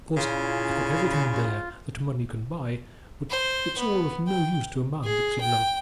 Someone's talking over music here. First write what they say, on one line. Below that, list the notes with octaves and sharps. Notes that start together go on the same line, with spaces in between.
Of course I've got everything there that money can buy,--but it's all of no use to a man that's in love.
A#2 C#3 C#4 E4 F4
C5
B3
G5
G#4
G5